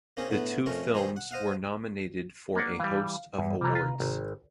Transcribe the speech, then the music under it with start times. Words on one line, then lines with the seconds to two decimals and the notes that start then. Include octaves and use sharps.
The two films were nominated for a host of awards.
0.17 A#3 C4 C#4 D#4 G#4
0.29 A2 D3 A3 B3
0.66 F2 A3 C#4 A#4 C#6
0.94 D#3 G3 D#4 G#4 C5
1.16 F#5
1.31 C5 D#5 F5 F#5
2.55 A#3 D4 F#5
2.80 E3 G3 F5
3.38 E2 G2 G3
3.61 C3 E3 G3 A#5
3.75 F4 B4
4.00 G#1